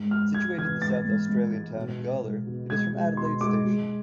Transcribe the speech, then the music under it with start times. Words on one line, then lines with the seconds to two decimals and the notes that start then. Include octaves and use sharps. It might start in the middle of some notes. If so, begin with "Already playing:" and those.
Situated in the South Australian town of Gawler, it is from Adelaide station.
Already playing: G#2
0.11 G#3 F6
0.34 G#3 G#6
0.58 E3 G#6
0.82 G#2 A6
1.05 G#2
1.29 G#2
1.52 G#3
1.76 B2
2.00 B2
2.23 G#3
2.47 B2
2.70 G#3 G#6
2.94 G#3
3.17 B2 C6
3.41 G#3 D6
3.65 G#3